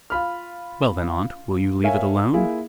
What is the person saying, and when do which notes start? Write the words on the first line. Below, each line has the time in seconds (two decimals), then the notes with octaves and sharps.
"Well then, aunt, will you leave it alone?"
0.10 F4 B5 F6
1.83 A#4 C#5 E5 F5 G#5
2.34 A#3 E4 F4 G#4